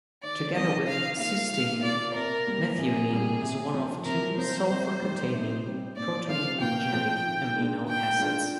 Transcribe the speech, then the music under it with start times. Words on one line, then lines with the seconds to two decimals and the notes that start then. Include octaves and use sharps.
Together with cysteine, methionine is one of two sulfur-containing proteinogenic amino acids.
0.23 D#3 D5
0.55 G3 C4 G4 D#5
0.87 D#3 F5
1.18 A#3 F4 F5
1.51 D#3 F5
1.82 A#3 F4 D5
2.15 C3 A#4
2.47 G3 A#3
2.78 C3 G#4
3.10 G3 A#3
3.41 C3
3.74 F3 C4
4.05 C3 A#4
4.38 F3 C4 C5
4.70 C3
5.01 G3 C4 D#4
5.34 C3
5.65 G3 C4 D#4
5.97 A#2 D5
6.29 F3 G#3 C4 F4 F5
6.61 A#2 G5
6.93 F3 G#3 C4 F4
7.25 D#3
7.57 G#3 D4 F4
7.88 D#3 G5
8.20 G#3 D4 F4